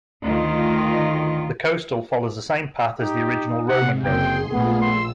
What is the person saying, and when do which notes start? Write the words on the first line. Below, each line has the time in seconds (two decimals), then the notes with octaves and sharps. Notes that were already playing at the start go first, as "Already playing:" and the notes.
The coastal follows the same path as the original Roman road.
0.24 D2 D#3 F4
2.99 D#4 G4
3.68 C3 F#5
4.04 F#1 C4 G#4 G5 C6
4.50 A#1 A3 B3 F4 G#4
4.81 C6 E6